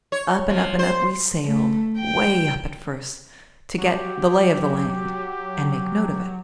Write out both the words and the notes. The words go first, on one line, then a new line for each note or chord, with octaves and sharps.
Up and up and up we sailed, way up at first, to get "the lay of the land" and make note of it.
C#5
F3
C5
A3
G5
F#3 G4